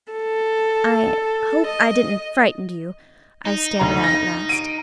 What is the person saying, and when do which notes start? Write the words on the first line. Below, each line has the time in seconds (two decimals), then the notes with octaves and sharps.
"I hope I didn't frighten you?" I stammered out at last.
0.12 A4
1.67 D#5
3.45 D#4
3.79 D2 A#5
4.04 A#6
4.49 D7 D#7